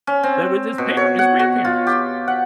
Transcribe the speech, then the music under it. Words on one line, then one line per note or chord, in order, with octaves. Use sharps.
That was his parent his grandparents.
C#4
C4
B2
C#5
F#5
F#4
F4
G4
F#5